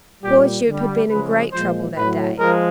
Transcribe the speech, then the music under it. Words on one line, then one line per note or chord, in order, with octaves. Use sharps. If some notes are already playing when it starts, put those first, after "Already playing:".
Poor Jupe had been in great trouble that day.
A#2 G3 G4
D3 G3
C#3 F3 G#3 B4
A#2 F3 G#3 C5
A2 F#3 B4
F3 G#3 A#4